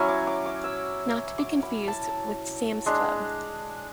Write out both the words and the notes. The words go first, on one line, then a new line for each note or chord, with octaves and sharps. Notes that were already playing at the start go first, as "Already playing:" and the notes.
Not to be confused with Sam's Club.
Already playing: F#3 C#4 E4 G#5
D6
D6
D6
E6
D6
B5
A5
G#3 D4